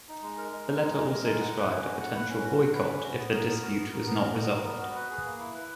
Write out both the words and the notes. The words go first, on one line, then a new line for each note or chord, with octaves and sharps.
The letter also described a potential boycott if the dispute was not resolved.
D#4
G#3
A#4
G#3
D#4
G#3
A#4
G#3
D#4
F#5
B4
C#4
F#4
F#5
B4
C#4
F#4
F#5
B4
C#4
F#4
B3
A#4
B3
F#4
B3
A#4
B3
F#4
B3
A#4
B3
F#4
B4
G#4
A#3
E4
B4